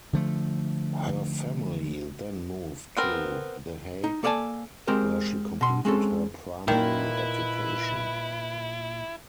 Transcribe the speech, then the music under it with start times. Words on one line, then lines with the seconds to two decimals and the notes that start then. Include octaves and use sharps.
Her family then moved to The Hague, where she completed her primary education.
0.13 D3 F3 A3
2.97 B3 C4 A#4
4.04 D#4
4.23 A#3 A4 D5 E5 G#5 A5
4.87 G#3 C4 G4 A#4 C5
5.61 B2 C6
5.85 G#3 C4 C#4 A4
6.68 A#2 D#3 A#3 E4 B4